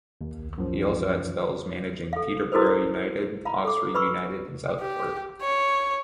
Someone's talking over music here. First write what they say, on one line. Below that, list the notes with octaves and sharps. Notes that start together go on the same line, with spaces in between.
He has also had spells managing Peterborough United, Oxford United and Southport.
D#2
F#2 F3
A4 F5
E4 F#4 A4 A#4 C5
F5 A#5 B5
A4 D6
B4 B5 C#6 E6
G4
C#5